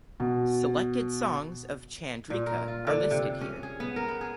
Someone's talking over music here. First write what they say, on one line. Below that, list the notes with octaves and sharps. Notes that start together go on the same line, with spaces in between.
Selected songs of Chandrika are listed here.
B2
A#2
A#4
F4
D3
C3
C#4
G#4
B3
A#4
B3
G#4